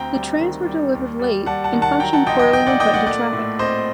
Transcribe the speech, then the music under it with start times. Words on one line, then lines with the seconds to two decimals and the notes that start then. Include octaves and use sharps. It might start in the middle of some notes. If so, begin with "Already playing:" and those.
The trams were delivered late and functioned poorly when put into traffic.
Already playing: D2 C4 G5 A#5
0.14 G3
0.40 D#3
0.67 G3
0.94 D#2
1.20 G3
1.46 G3 F#5 A5
1.64 F#5 A5
1.73 D#3
1.82 F#5 A5
2.00 F#3 G5 A#5
2.13 F#5 A5
2.26 A#1 D#5 G5
2.39 D#5 G5
2.53 A#1 D#5 G5
2.66 D5 F#5
2.80 A#2 D#5 G5
2.94 D5 F#5
3.06 A3 D5 F#5
3.33 A2
3.59 C4 C5 D#5